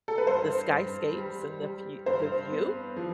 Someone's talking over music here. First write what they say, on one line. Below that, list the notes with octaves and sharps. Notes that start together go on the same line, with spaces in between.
the skyscapes and the fe the view.
A4
B4
G2 C5
G2
G3
G3
G2 C5
B3
F3